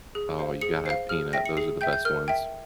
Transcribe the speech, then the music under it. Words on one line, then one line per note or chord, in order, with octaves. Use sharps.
Oh, you gotta have peanut, those are the best ones.
G#4
C5 F5
G#4 C#7
C5 F5 C7
G#4 F6
E5 G5 A#6
C#7
G#4 C7
E5 G5 G6
G6
A#4 F6
E5 G5